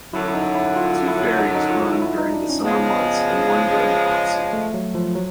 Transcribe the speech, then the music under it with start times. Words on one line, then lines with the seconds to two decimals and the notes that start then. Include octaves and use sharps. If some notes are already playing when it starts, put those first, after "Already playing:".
Two ferries run during the summer months and one during the off-season.
0.13 F#2 D3 F#3 E4
0.28 E4
0.34 D#4
0.55 E4
0.76 F4
1.08 E4
1.38 D#4
1.55 D#4
1.70 F4
1.85 E4
2.02 E4
2.18 D#4
2.33 D4
2.49 C#4
2.64 C#3 F3 G#3 B3
4.53 A3
4.74 F#3
4.95 F3
5.15 F#3